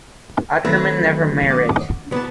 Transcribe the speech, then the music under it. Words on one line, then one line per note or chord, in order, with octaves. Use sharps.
Ackermann never married.
D#3 F#3 A3 C4 B4
F#5 D6 D#6
B3 B4 D5 A5